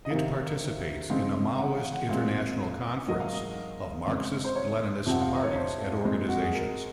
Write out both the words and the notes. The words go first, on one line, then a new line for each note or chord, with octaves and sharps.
It participates in the Maoist International Conference of Marxist-Leninist Parties and Organizations.
D#5
C3 D#3 A#3 F5
C#3 G#3 C4 F5
F#5
F5
F#5
A#2 G#3 C4 F5
G#2 F#3 A#3 D#5
F5
D#5
C#3 G#3 C4
C5
C#5
F2 C3 F3 C4 F#5
F5
D#5
C#5
C5
A#2 G#3 C4
F#4
G#4
A#4